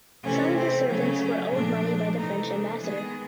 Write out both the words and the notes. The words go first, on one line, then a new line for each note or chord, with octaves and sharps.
Some of the servants were owed money by the French ambassador.
C3 E3 A3 C#4
C4
C#3 F#3 A3 C#4
A#2 F3 A3 D4
C3 E3 A3 D#4
D4
D#3 G#3 B3 G#4